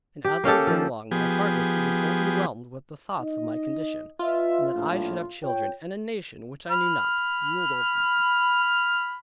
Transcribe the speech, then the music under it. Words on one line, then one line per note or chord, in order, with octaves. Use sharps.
And as I was going along, my heart was even overwhelmed with the thoughts of my condition, and that I should have children, and a nation which I knew not, ruled over them.
G4
A#3 C#4 G4 A4
F3
F3 B3 G4 G#4
D#4 D#5
F4 B4 D#5 E5
A#1 A2
F4 C#5 G5
B5 F6